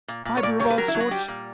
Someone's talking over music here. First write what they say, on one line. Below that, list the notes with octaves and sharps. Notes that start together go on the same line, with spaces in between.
Fibre of all sorts.
A#2
A#2
C#5
A#2 D5
G3 C#5
B4
F#3 A#4
E4
F#3
F#4
G3 G4
A#2